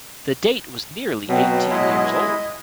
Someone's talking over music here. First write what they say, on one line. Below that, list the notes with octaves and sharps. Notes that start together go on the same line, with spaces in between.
The date was nearly eighteen years old.
B2 F#3 C4
G#3 E4 D#5